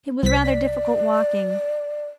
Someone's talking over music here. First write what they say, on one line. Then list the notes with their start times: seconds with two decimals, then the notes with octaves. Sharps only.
It was rather difficult walking.
0.23 C2 C5 B6
0.44 D5